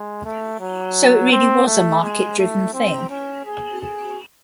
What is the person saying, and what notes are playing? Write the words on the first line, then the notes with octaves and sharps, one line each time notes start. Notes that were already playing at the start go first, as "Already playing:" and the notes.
So, it really was a market-driven thing.
Already playing: G#3
A3
F#3
C4
A3
G#3
A3
C4
C#4
G#4
G#4